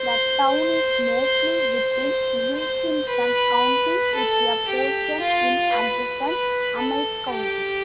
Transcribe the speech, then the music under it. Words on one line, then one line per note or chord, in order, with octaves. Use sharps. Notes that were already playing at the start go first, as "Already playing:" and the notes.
The town is mostly within Wilkinson County with a portion in adjacent Amite County.
Already playing: C5
C5
C5
B4
A4
G4
F4
B4
B4
A4
G4